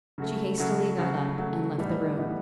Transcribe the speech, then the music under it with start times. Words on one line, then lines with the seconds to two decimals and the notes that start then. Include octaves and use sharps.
She hastily got up and left the room.
0.18 C#3 F#3 A3
0.58 C#3 F#3 A3
0.98 C#3 F#3 A3
1.37 C#3 F#3 A3
1.78 A2 E3 G3 B3 D#4
2.17 A2 E3 G3 B3 D#4